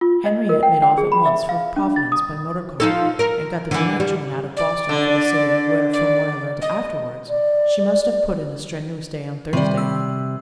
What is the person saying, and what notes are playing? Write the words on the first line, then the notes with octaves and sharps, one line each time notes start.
Henriette made off at once for Providence by motor-car, and got the midnight train out of Boston for the city where, from what I learned afterwards, she must have put in a strenuous day on Thursday.
F4
D#5
A#4
G5
G5
G#4
B5
E5
F5
D4
A6
D#6
F3 D#4 A4
A#4
D3 E3
G3
D5
D3
D5
D#5
D5
C3 D#3 G3 D5
E6